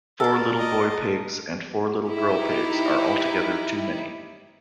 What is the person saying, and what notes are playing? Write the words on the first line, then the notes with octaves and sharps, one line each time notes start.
Four little boy pigs and four little girl pigs are altogether too many.
A4 A#4 D5
D#5 A5
D#4 E4 G4